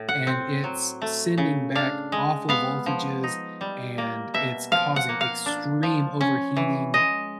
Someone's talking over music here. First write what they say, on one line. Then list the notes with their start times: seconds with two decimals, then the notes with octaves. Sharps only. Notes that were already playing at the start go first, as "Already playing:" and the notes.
and it's sending back awful voltages, and it's causing extreme overheating,
Already playing: A2
0.09 F#5
0.27 C4
0.64 F#3
1.02 A3
1.38 C#3
1.75 D4 F5
2.12 G#3
2.49 B3 F5
2.86 F3
3.24 D#4
3.61 G3
3.98 A#3
4.34 B2 E5
4.72 F3 F5
4.96 F#5
5.09 A#3
5.21 F5
5.46 D4
5.83 F3
6.21 C#4
6.57 E3
6.94 G#3 D#5